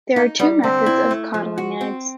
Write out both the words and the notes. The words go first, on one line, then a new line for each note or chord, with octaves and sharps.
There are two methods of coddling eggs.
A#3 D#4
G3 B3
D3 C4
E4
A3
F3
F#4
C4